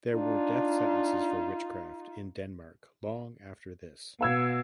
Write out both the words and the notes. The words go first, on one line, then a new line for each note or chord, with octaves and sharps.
There were death sentences for witchcraft in Denmark long after this.
D4 D#4 F4
B2 F5 E6 G#6